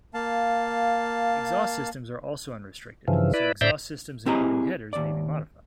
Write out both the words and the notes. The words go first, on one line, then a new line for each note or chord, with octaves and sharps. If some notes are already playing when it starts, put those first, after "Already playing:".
Exhaust systems are also unrestricted, so exhaust systems including headers may be modified.
A#3 F5 A5
G2 C#3 E3 F3
E4 B4 D5
A2 C5 D5 E5 A#5 G6
C4 E4 G4 G#4 D#5 A#5
D#2 D5